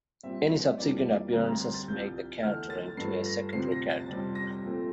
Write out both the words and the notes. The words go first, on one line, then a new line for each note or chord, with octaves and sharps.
Any subsequent appearances make the character into a secondary character.
A#2 G3 C4 E5
F2 E3 G3 A#3 D5
D2 D3 G3 C4 A#5
A#5
C6
A6
C2 C3 F3 G6
E2 D3 A3 F6
A6
G2 F3 A3 C7
A#6
D2 C3 F3 C4 C7
A#6
A6
F2 C3 G3 C4
A#6
A#2 F3 A3 C4